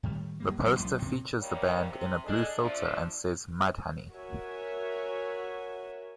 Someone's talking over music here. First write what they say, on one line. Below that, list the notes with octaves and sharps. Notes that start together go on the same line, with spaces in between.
The poster features the band in a blue filter and says Mudhoney.
A2 D#3 G3 A3
F#2 G3 A#3
A1 F#3 A#3
A#1 F#2 F3
A2 C3 C4
D#2 G3 A#3 C#5
C3
D4 G#4 A4 D#5
F3 A3 D4
F#4 A#4 C#5 E5 G#5